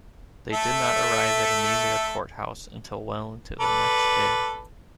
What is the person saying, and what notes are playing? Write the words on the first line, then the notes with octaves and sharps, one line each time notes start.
They did not arrive at Amelia Court House until well into the next day.
A3 A4 E5
A4 B4 D5